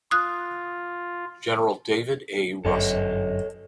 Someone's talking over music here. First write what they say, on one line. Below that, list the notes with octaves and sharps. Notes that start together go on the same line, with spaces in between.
General David A. Russell.
F4 D#6 F#6
G1 F#2 A4 C#5 D#5